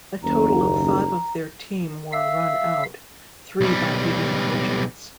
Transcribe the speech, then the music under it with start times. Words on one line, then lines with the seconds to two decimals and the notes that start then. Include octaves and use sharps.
A total of five of their team were run out, three by Vivian Richards.
0.24 F#1 D#2 A#5
2.13 E5 F5 E6
3.61 B1 G3